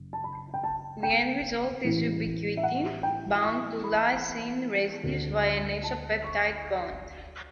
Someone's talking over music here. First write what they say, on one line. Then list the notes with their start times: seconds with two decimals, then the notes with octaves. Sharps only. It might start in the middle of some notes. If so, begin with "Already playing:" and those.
The end result is ubiquitin bound to lysine residues via an isopeptide bond.
Already playing: F#1
0.13 A5
0.24 B5
0.54 G5
0.64 A5
1.03 G5
1.84 A1 A2 E3
2.57 E5
2.63 F#5
3.03 G5
3.43 C#6
3.84 B5
5.03 D2 D3
5.83 A5
6.24 C#6